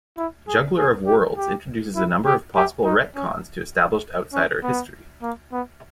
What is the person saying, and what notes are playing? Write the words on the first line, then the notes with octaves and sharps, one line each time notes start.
"Juggler of Worlds" introduces a number of possible retcons to established Outsider history.
E4
G#4
G#4
G4
G4
E4
G4
G4
D#4
C#4
C#4
B3
A#3
B3